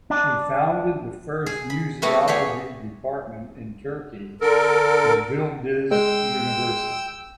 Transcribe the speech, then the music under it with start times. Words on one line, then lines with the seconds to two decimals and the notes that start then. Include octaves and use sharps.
She founded the first Museology department in Turkey in Yildiz University.
0.10 D4
1.46 G#4
1.70 B5
2.02 G3 A3 B3 E4 F#4
2.28 G4 G#4 B4 C#5
4.41 D3 A4 A#4
5.91 G#3 G5 E6